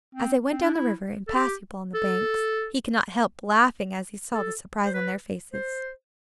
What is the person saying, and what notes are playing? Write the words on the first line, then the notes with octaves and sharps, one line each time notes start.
As they went down the river and passed people on the banks, he could not help laughing as he saw the surprise on their faces.
C4
C4
D4
E4
A4
G4
A4
A4
C5
B4
C5